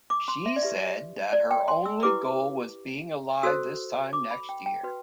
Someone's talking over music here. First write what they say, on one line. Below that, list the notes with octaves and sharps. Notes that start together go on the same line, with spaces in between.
She said that her only goal was "being alive this time next year".
D6
C6
E5
D5
E4 G4 B4 E5
D5
G5
C6
E6
E4 G4 B4 D6
F#4 A4 C5 E6
D6
B5
G5
G5
F#4 B4